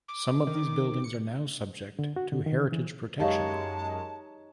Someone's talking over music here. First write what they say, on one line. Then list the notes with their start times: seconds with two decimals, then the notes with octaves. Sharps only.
Some of these buildings are now subject to heritage protection.
0.08 D6
0.47 D#3
1.04 C#7
1.99 D3
2.16 F#4
2.32 D3
2.46 D#3
2.72 E3
3.20 F#2 G#3 D#4 G4 C#5 D#5 F5 A5